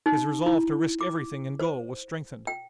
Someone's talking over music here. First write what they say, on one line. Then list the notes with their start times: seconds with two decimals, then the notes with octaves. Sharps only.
His resolve to risk everything and go was strengthened.
0.06 D#4
0.46 E4
1.01 D6
1.60 C5
2.47 G5